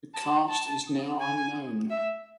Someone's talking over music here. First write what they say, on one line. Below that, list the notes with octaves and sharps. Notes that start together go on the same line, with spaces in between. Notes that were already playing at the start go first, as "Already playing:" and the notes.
The cast is now unknown.
A5
A5
G#5
E5